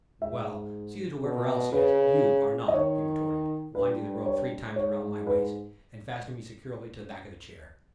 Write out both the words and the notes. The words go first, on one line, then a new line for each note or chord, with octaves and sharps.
"Well, see that whoever else is you are not," he retorted, winding the rope three times around my waist and fastening me securely to the back of the chair.
G#2 E5
B2
C#3 B4
D#5
D#3 C#5
G2 B4
C#5
G#2 C#5
B4